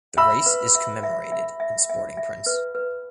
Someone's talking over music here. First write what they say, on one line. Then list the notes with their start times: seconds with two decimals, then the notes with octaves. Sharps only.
The race is commemorated in sporting prints.
0.17 E5 B5 E6
0.46 B4
0.75 E5
1.03 E5
1.32 E5
1.60 E5
1.90 E5
2.17 E5
2.46 B4
2.75 B4